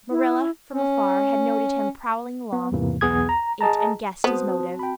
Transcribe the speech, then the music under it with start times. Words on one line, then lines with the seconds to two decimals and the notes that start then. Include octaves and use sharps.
Marilla from afar had noted him prowling along it and guessed his motive.
0.11 E4
0.73 C#4
2.53 B3
2.72 E2 G#2 C3 E3 A#3
3.01 B1 E2 B3 G#4 D#6 G#6
3.29 A#5
3.61 G#4 D#5 A5 A#5
4.24 B3 C4 F#4 C5 A5 D#6
4.79 G5 B5